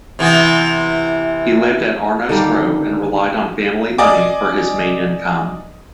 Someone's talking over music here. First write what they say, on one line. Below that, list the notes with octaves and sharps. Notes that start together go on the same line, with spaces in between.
He lived at Arnos Grove and relied on family money for his main income.
C3 E3 B3
D3 D#3 G3 A#3
D5 D#5 G#5 D6